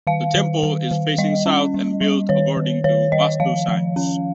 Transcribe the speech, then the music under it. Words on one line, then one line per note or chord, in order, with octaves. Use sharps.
The temple is facing south and built according to vastu science.
D#3 F5
D#3
D#3
D#3
G3 D#5
C#4
G3
G3
D#3 C#5
D#3
D#3 C#5
D#3 D#5
F3 F5
F3
C#4